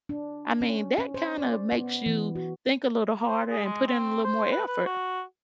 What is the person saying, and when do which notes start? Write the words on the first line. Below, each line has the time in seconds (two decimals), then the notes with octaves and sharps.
I mean, that kinda makes you think a little harder and put in a little more effort.
0.09 D4
0.61 C#4
0.99 C#4
1.14 C5
1.38 D5
1.72 B3
2.06 E3
2.35 F#4
3.28 C5
3.51 G#4
3.65 G#3
3.87 C4
4.24 C5
4.52 B4
4.67 B4
4.86 F#4